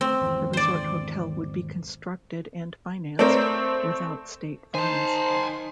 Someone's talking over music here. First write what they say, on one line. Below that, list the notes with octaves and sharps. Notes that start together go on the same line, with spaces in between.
The resort hotel would be constructed and financed without state funds.
A3 C4
G#1 E2
C5 D5
A3 C4 A#4 C5 D5
D#3 C5 G#5 A5 C6